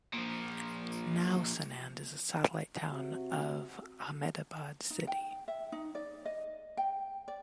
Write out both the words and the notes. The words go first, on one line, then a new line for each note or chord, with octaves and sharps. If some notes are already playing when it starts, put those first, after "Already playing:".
Now, Sanand is a satellite town of Ahmedabad city.
A#2 F3
C3 F#4
D#4
G5
E5
D#4
D5
D#5
G5
D5